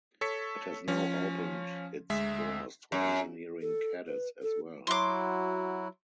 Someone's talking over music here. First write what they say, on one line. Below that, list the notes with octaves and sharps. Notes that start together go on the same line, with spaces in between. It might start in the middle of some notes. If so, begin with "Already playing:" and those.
It has now opened its doors to engineering cadets as well.
A4 C#5 B6 C#7
F3 C#4
D2 G#3 E5 E6
F#2
A4
B4
A4
F#3 E4 F#4 C6 D6